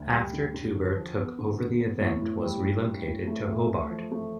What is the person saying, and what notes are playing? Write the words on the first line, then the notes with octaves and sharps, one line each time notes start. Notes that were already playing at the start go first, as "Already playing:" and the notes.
After Touber took over the event was relocated to Hobart.
Already playing: D2
G3
D3
D3
D3
F3
B3
D3
D3
B3
A2
A2
G3
G2
G2
A2
A3
A3
A3
F3
A3